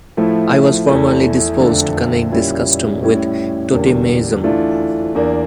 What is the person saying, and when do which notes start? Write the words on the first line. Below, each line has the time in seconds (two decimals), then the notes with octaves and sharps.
I was formerly disposed to connect this custom with totemism.
0.17 A2 F3 A3 E4
0.88 E2 E3 A3 E4
1.60 F2 D3 A3
2.31 A#2 G3 C#4 E4
3.02 A2 G3 C#4 E4
3.73 E2 D3 G3 A#3
4.44 E3 A3 D4 F4
5.15 E2 E3 A#3 D4